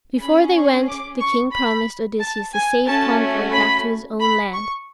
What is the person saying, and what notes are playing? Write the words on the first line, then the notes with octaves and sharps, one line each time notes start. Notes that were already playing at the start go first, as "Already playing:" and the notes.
Before they went the King promised Odysseus a safe convoy back to his own land.
C#4 G#4 B5
C#6
D6
C#6
B5
A5
G#5
A3 C#4 F#4 A5
B5
B5
C#6